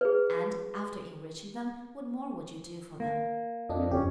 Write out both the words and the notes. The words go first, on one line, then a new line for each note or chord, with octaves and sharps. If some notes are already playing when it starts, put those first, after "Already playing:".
"And after enriching them, what more would you do for them?"
G#4 B4
A#3
F2 D4 D#5
G1 C#3 C#4 G4